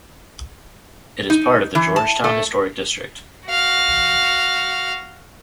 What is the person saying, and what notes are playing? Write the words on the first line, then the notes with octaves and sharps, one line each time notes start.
It is part of the Georgetown Historic District.
D#4
E3
A5
A3
F#4 F5